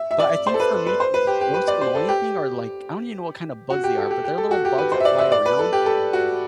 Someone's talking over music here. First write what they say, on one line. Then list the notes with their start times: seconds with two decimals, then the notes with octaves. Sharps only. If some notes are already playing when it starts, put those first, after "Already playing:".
but I think for me, th the most annoying thing are like I don't even know what kind of bugs they are, but they're little bugs that fly around
Already playing: E5
0.11 E5
0.20 D5
0.47 C5
0.54 A4
0.60 B4
0.87 B4
1.00 C5
1.14 B4
1.27 G4
1.41 G4
1.54 B4
1.68 D5
1.81 C5
1.95 A4
2.09 G4
3.70 F#4
3.84 G4
3.97 A4
4.11 G4
4.24 G4
4.38 A4
4.51 F#4
4.65 G4
4.78 B4
4.92 C5
5.00 E5
5.05 D5
5.18 E5
5.32 D5
5.46 B4
5.59 A4
5.73 G4
5.86 A4
6.13 F#4